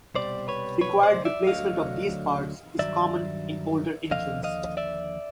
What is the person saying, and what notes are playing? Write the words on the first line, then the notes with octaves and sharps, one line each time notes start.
Required replacement of these parts is common in older engines.
C2 B2 G3 C5 D5
B4 C#5
B4 C#5
C5 D5
D5 E5
D2 D3 F#3 D#5 F5
G2 D#3 F#3 D5 E5
D#2 D3 F3 D#5 F5
D#5 F5
D5 E5